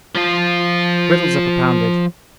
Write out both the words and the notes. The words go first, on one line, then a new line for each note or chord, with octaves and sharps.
Riddles are propounded.
F3 F4